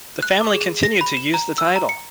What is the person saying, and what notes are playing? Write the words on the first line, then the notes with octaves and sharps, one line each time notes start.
The family continued to use the title.
F#6
D6
G#4
A#6
B5
E7
A#5
E6
A#5
C#7